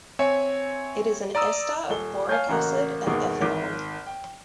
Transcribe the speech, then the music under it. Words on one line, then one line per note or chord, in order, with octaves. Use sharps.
It is an ester of boric acid and ethanol.
C4 C#5 E5 G#5
D5 A#5 D#6 E6
D#1 A4 G7
C#5 F5 G#5 A5 F6 G6
A1 C#3 A#3 F#4 A#5 F#6
G1 D#2 B2 D#4 G#4
G#1 D#3
G5